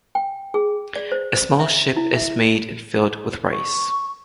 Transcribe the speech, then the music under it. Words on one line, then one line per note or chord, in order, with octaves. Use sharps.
A small ship is made and filled with rice.
G5
G#4
D5
C5
C5
E5
E4
E5
C#6